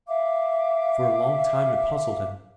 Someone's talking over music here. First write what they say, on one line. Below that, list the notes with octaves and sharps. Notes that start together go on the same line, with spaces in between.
For a long time it puzzled him.
E5 F5 D6